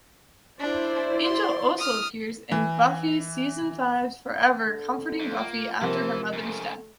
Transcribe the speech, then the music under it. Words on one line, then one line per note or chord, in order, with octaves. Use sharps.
Angel also appears in "Buffy" season five's "Forever", comforting Buffy after her mother's death.
D4 E4 C5 D5
C6
D#6 F6
E3
D3
F2
A#3 F4
C3 E3 F3 A#3 C5
G#2 C#3 A3